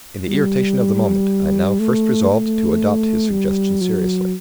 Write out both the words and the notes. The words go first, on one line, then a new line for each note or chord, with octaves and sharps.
In the irritation of the moment, I now first resolved to adopt his suggestion seriously.
G3
A3
A3
G3
F#3